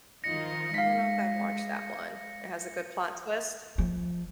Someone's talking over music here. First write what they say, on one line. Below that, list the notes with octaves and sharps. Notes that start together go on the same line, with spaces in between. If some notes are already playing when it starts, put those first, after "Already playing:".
Hmm, I don't know if I've watched that one. It has a good plot twist?
D#3 D#4 F4 A#6 C#7
G#3 F5 B6
F3